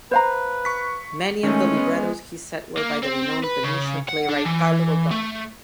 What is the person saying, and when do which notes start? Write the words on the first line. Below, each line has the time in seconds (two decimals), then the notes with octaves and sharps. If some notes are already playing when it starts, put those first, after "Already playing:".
Many of the librettos he set were by the renowned Venetian playwright Carlo Goldoni.
0.11 B4 C5 F5 A#5
0.65 C#6 B6
1.43 D#3 G#3 A3 C#4
1.77 B3
2.77 A#3
3.03 C4
3.44 B4
3.64 C#3
4.08 F#5
4.29 D4
4.45 E3
5.11 A3